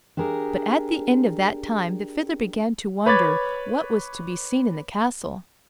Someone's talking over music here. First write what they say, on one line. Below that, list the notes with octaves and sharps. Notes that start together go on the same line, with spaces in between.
But at the end of that time the Fiddler began to wonder what was to be seen in the castle.
D4 G4 G#4 A#4
B4 C#5 B5 D6 G#6 A6